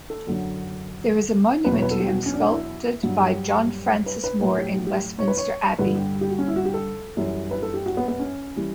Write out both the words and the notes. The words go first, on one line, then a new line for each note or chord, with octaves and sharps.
There is a monument to him, sculpted by John Francis Moore in Westminster Abbey.
A4
F#2 D3 F#3
E2 B2 F#3 B4
C#5
B4
A4
G4
F#4
C#4
D4
E4
G2 F#3 F#4
G4
B4
B4
A2 F#3 B4
G4
G4
C#5
B4
C#5
G2 D3 G3 B4
G4
G4
F#4
C#4
E4
F#4
G4
A4
F#2 E3 G3
B4
A4
G4
F#4
B3
B3
C#4
E3 G3